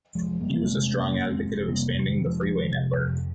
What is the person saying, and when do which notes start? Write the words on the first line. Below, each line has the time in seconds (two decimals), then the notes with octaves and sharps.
He was a strong advocate of expanding the freeway network.
0.15 F1 F3 G#3
0.40 F1 G3 A#3
0.66 C3 G#3 C4
0.92 F2 A#3 C#4
1.18 F1
1.30 G#3 C4
1.43 F1
1.68 C3 G3 A#3
1.94 F2
2.07 D#3 G3
2.20 F1
2.26 F3 G#3
2.45 F1
2.70 C3
2.96 F2